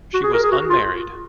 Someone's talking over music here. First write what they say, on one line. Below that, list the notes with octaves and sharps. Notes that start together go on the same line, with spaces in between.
She was unmarried.
F#4
G#4
A#4
G#4
F#4
F4